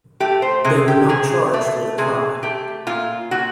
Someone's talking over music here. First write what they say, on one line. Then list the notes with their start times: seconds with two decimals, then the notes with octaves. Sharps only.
They were not charged with a crime.
0.20 A3 G4
0.42 C5
0.65 C3 G#4
0.88 G4
1.09 C3 G#4
1.54 A3
1.98 C3 G#4
2.43 A3 G4
2.87 A#2 F4
3.31 A#2 F#4